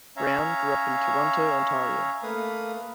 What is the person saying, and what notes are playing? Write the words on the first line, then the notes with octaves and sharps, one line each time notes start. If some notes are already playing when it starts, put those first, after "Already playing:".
Brown grew up in Toronto, Ontario.
C#4 C#5 E5 F5 A#5
A3 A#3 B4 F5 D#6